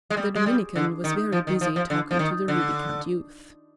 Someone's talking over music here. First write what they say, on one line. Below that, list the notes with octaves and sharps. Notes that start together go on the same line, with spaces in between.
The Dominican was very busy talking to the rubicund youth.
G#3
G3
G#3
G3
D3
D#3
F3
D#3
F3
F3
D3
F3
D#3
D3